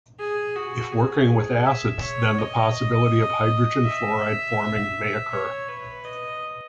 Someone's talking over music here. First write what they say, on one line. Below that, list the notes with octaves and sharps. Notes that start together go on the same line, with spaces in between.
If working with acids then the possibility of hydrogen fluoride forming may occur.
G#4
F#4
G#4
E5
C#5
D#5
E5
C#5
B4
D#5